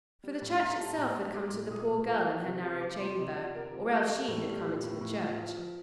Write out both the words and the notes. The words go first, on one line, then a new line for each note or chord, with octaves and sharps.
For the church itself had come to the poor girl in her narrow chamber, or else she had come into the church.
G3
A2
A2 A#5
G3 A5
A2 A#5
G3
G3 D6
A2
A#2 D#6
A#2
F3
F3
C3
C3
F3 D6
C3 C6
C3 D#5
F3 D5
C3 A#4
F3
G3 A4
G3
A2
G3
F3 G4
A2
A2
F3
F3
F3